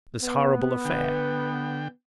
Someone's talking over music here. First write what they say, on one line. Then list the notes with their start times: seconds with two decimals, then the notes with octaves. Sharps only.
This horrible affair.
0.21 B3
0.85 D3 G5